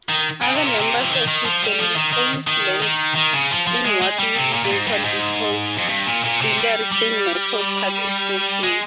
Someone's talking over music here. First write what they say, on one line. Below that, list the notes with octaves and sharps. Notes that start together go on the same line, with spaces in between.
Other members of his family owned land in what would eventually be called Villeray-Saint-Michel-Parc-Extension.
D#3
C#3
C3
A#2
C3
F3
D#3
D#3
F3
G3
F3
D#3
D#3
D#3
D#3
D#3
C#3
F3
F3
G#3
G#3
G3
C3
A#2
A#2
G#2
G2
G#2
F2
G2
A#2
A#2
C3
G3
G3
G#3